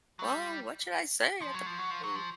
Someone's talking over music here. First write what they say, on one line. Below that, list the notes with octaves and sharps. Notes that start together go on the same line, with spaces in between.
"Woah, what should I say at the party?"
F#3
G3
F3
F#3
F3
F#3
F3
F#3
F3